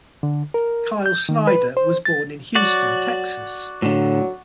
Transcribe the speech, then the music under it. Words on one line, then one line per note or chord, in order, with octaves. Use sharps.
Kyle Snyder was born in Houston, Texas.
D3
A#4
G6
D#3
B4
C5
A6
F#3 F#4 D5
A2 D3 F#3